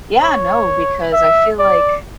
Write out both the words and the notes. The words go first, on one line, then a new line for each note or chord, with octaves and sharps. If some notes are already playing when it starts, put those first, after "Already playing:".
Yeah, no, because I feel like,
C#5
E5
D5